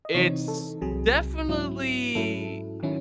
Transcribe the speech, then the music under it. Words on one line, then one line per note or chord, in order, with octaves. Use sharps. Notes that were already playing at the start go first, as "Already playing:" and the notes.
it's definitely ah,
D#5
C3 E3 C4 D#4 C#5
A4
C2 C3 F#3 G#4
G#2 F#3 C#4 E4
G#2 F#3 C#4 E4 A4
D#3 F#3 C#4 E4